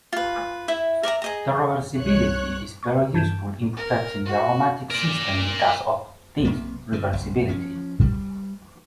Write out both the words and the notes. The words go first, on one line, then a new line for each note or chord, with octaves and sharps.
The reversibility is very useful in protecting the aromatic system because of this reversibility.
F4 B4
E4 E5
A#4 D5 E5 A#5
G#4 D#5 A#5
C2 C#5 F#6
C#6 G#6
G2 A5 G6 G#6 D7 E7
A#4
F#4
A#4 D5
B1 C3 A#3 B3
G2 D3
F#1 B1
F3 C#4
G3